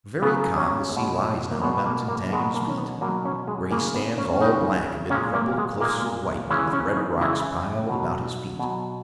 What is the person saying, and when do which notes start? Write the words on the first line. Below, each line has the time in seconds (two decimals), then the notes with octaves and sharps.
Very calm the sea lies now about Tintaggon's feet, where he stands all black amid crumbled cliffs of white, with red rocks piled about his feet.
0.22 C#3 F#3 B3
0.58 C#4
0.92 B2 G#3
1.51 A#3
1.62 B2 G#3 B3
1.77 B3
1.86 A#3
2.08 A#3
2.31 B2 F#3 G#3
2.54 A#3
2.69 C#4
2.78 B3
3.01 B2 F#3 A#3
3.25 C#4
3.48 G#3
3.71 C#3 G#3 A#3
3.95 B3
4.18 C#4
4.32 C#4
4.41 C#3 G#3 D#4
5.10 A#2 G#3 C#4
5.34 A#3
5.58 G#3
5.81 A#2 G#3 A#3
6.50 C#3 E3 G#3 C#4
6.73 C#4
6.92 C#4
6.97 D#4
7.20 C#3 E3 G#3 E4
7.89 B2 F#3
8.59 B2 F#3